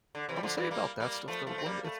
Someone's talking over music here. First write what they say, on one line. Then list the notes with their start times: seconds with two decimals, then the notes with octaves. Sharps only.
I will say about that stuff though, one of the it's
0.15 D3
0.29 C3 E3
0.36 G3
0.43 D3 F3
0.57 E3 G3
0.71 G3 A#3
1.00 G3 A#3
1.28 F3 A3
1.47 F3 A3
1.58 C4
1.66 G3 A#3
1.84 A3